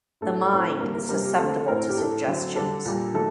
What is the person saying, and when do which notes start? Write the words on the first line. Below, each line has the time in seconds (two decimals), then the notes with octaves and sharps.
The mind is susceptible to suggestions.
0.21 A2 A3 D4 A4
0.51 A2 A3 C4
0.80 D3 G3 A#3 D4 A#4
0.95 A#4
1.09 C3 G3 A#3 D4 A#4
1.24 G4
1.38 D3 A3 C4 A4
1.67 A2 A3 C4 A#4
1.89 G4
1.97 A2 A3 D4 A4
2.26 D3 F#3 C4
2.55 D3 G3 D4 A4
2.86 A#2 G3 A#3
3.14 D#3 F#3 A3 A4